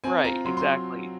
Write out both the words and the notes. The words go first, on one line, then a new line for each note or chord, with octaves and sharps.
right, exactly.
C4 G#5
F4 A#5
F#3 C6
C6